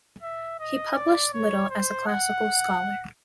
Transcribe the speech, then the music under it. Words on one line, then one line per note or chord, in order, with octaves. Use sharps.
He published little as a classical scholar.
E5
D#5
D5
C#5
C5
F#5